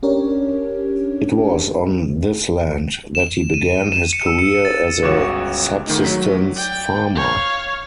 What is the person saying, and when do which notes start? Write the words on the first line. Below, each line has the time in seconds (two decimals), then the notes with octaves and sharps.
It was on this land that he began his career as a subsistence farmer.
0.03 C#4 D4 G4 A#4 C#5
3.15 E7
3.54 D#7
3.92 E7
4.13 C#7
4.26 E6
4.39 C#7
4.65 A6
5.02 G1 C#2 F#4 C#5 D6 E7
5.87 G#2 D#3 A3 D#4
6.05 F#3 B6
6.56 D5 G5
7.15 C#5 F5